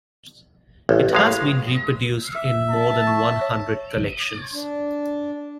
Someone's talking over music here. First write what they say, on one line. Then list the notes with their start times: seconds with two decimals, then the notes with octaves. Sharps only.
It has been reproduced in more than one hundred collections.
0.89 A1
1.13 A2 G#3 F5
2.35 E5
2.70 A5
3.07 C#6
3.41 C#5
4.54 D4